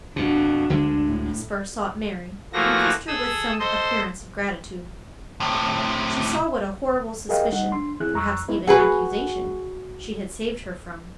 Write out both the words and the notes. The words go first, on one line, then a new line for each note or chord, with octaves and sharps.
Hesper sought Mary, and kissed her with some appearance of gratitude. She saw what a horrible suspicion, perhaps even accusation, she had saved her from.
F2 B2 D4 F#4
D2 D3 G#3 D4
A2
E3 F3 A3 A#3 F#4 A#6
G#4 A4 D#6 E6
A4 C5 D#5 C6
A2 C3
G4 G#4 A#4 D#5 F5 G5
G3 D#4 F#5
D4 C6
E3 C4 E4 G#4 F#6
F2 A#5 C#6 E6 F#6
G#3 A3 B3 D#4 E4 B4
F#4 G#4 B4